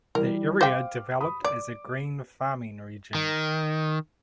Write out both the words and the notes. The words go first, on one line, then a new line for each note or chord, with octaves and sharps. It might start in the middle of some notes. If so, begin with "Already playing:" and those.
The area developed as a grain farming region.
E3 G3 A#4
C5 F5 G5 D6
B5 D#6
D5 D6
D#3